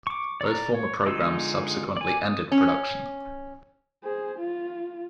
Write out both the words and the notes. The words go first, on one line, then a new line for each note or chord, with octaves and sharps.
Both former programs subsequently ended production.
C#6 D6
D5 A#5
C#5
D3 G#3 D#4 F4 E6
D5 G#5
D#6
C#4
G#4 C5
F4